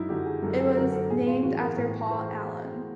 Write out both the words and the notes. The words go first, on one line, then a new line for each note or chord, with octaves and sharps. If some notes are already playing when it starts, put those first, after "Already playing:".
It was named after Paul Allen.
Already playing: F#2 D#4 E4
D3 F#3 G4
G#4
F#2 A4
A4
D3 F#3 A#4
A4
A2 G#4
F4
E3 F#4
A#4
A2 A#4
E3 C5